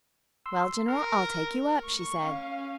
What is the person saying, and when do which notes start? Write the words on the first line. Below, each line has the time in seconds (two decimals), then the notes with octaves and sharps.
"Well, general, I'll take you up," she said.
0.46 C6 E6
0.88 A#4 F6
1.85 C#6
2.24 C#4 F5